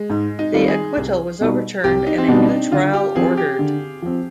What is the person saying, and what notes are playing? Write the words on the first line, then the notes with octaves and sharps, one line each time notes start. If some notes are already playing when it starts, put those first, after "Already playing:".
The acquittal was overturned and a new trial ordered.
Already playing: G#3
G#2
D#4
D#3 G3 C4 F4
G#4
C2
B2 G3 B3 D#4
C2 G4
D#4
C4
B2 G3 B3 D4 D#4
D#4
D3 F4
G4
F3 C4 G#4
G4
D3
F3 C4